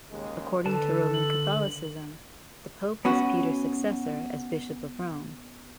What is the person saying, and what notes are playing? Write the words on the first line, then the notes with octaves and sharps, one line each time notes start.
According to Roman Catholicism, the pope is Peter's successor as Bishop of Rome.
D#2 C#3 G#3
D3 A4 B4 A5
F#7
B3 C#4 F#4